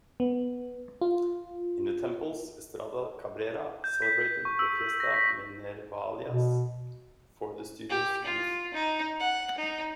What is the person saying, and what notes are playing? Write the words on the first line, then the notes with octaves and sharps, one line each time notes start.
In the Temples, Estrada Cabrera celebrated the "Fiestas Minervalias" for the Studious Youth.
B3
F4
G6
B6
C#6
E6
A#6
B6
B2
G4
F4
D#4
F#5
D#4